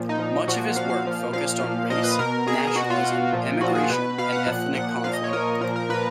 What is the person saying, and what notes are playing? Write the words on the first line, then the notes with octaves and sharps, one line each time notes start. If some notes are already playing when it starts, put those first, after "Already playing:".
Much of his work focused on race, nationalism, immigration, and ethnic conflict.
Already playing: A#2 F3
D#4
A#2 F3
A#2 F3 F#4
A#2 F3 F5
F5
A#2 F3
A#2 F3 F5
A#2 F3
A#2 F3 D#5
B4
B2 A#4
B2 G#4
G#4
B2 F#4
F4
B2
A#2 F3
A#2 F3 F#4
G#4
B2 B4
B2 F5
F#5
A#2 F3
A#2 F3 F#5
A#2 F3 F5
D#5
C#5
A#2 F3 A#4
A#2 F3 A#4
A#4
A#2 F3 B4